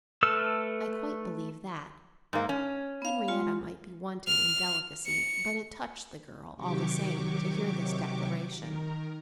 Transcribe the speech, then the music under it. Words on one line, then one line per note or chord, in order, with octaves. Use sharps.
"I quite believe that." Henrietta might be wanting in delicacy, but it touched the girl, all the same, to hear this declaration.
A3 A4 B4 E6 F6
G#2 A#3
C#4
B3 F5
G#3 F4 C6
F6
C#7
C3 D#3 F#3 G4 C#6 D6
D#3 A#4